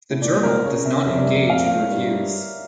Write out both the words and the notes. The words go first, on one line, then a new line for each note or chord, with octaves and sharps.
The journal does not engage in reviews.
A2
A#2 D5
A#4
C#3 C#5
E5
F2 E5
G2 D5
E5
F2
F5
A#2
A2
G2